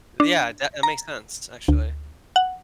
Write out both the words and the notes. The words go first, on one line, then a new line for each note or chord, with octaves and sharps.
Yeah, that that makes sense, actually.
D4
A#5
D2
F#5